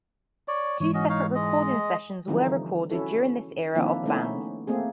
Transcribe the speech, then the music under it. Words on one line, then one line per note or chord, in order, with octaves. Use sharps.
Two separate recording sessions were recorded during this era of the band.
C#5 D5
G#2 E3 C#5
C#4 F#4 D#5
D#4 C#5 F5
G#3 D#5
D3 E3 F3 G3 C4 D#4
C#4 E4 F#4 A4
D#3 F3 A#3 C4 D4 E4
A3 B3 C#4 D#4 E4
A3 A#3 C4 G#4